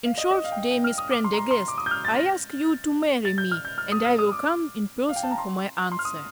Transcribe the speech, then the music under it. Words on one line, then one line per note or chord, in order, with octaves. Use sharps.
In short, dear Miss Prendergast, I ask you to marry me, and I will come in person for my answer.
F5
D#5
D#5
F5
G5
F5
G5
F6
D#6
D6
C6
A#5
C6
C6
D6
D#6
G6
F6
A6
A#6
A6
G6
F6
G6
F6
D#6
F6
D#6
D6
F5
G5
A5
A#5
C6
C6
F6
D#6